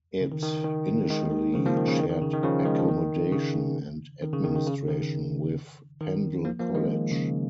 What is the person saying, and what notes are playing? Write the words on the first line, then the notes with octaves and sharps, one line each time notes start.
It initially shared accommodation and administration with Pendle College.
C#3
D#3
D#3
D#3
D#3 G#3
C#3 F3
F3 A#3
D#3
C#3
D#3
D#3
C#3
D#3
C#3 F3
D#3 G#3
F3
D#3
C#3
D#3
C#3
D#3
D#3
C#3
D#3
D#3
F3 A#3
F3 A#3
D#3 G#3
C#3